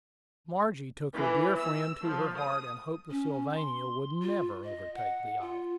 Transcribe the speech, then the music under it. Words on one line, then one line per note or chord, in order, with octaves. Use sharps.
Margie took her dear friend to her heart, and hoped the Sylvania would never overtake the Islander.
E3
E6
F3
D#6
C#4
C6
F4
D#5
F#5
F4